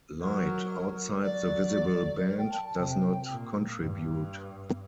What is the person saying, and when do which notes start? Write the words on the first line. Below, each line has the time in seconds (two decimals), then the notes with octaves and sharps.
Light outside the visible band does not contribute.
0.20 F#3 A#4
1.23 F#3 D5
2.25 A#4
2.38 G5
2.50 A5
2.64 A5
2.76 C3 G5
3.28 A#2
3.79 G2